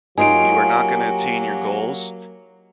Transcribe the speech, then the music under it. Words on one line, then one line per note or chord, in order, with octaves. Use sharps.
you are not gonna attain your goals.
F#3 A#3 D#4 F4 G4 G#5 D7